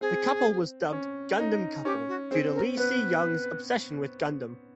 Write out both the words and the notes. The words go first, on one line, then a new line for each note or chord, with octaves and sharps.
The couple was dubbed "Gundam Couple" due to Lee Si-young's obsession with Gundam.
C4 G#4
C#4
D#4
C#4 G4
F#4
C4 G#4
A#4
B3 B4